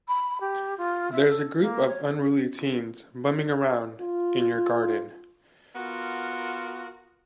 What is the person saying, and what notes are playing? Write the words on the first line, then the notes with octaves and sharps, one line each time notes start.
There's a group of unruly teens bumming around in your garden.
B5
G4
F4
E5
A4
A#3
C#5
F4
B3 F4 F#4 A#4